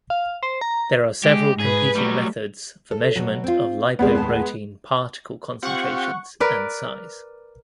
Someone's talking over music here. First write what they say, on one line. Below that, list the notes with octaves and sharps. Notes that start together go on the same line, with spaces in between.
There are several competing methods for measurement of lipoprotein particle concentrations and size.
F5
C5
A#5
G#3 G4
G#2 G#4 B4
F#3 G3 A3
A4
B2 F#3
C4 F4
D#2 G#3 B3 C4 D5
D#2 A2 A5
C4 F4 G4 F#5 C#6
A#4 B4 D5